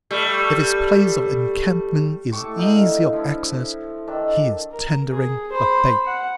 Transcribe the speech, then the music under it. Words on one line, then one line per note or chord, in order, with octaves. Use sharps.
If his place of encampment is easy of access, he is tendering a bait.
G3 A3
A2 A5 C#6 D6
D3 D#4 D#5 F5
F3 E4
D#3 D4 A4
A#4
G#4
C5 B5
F#5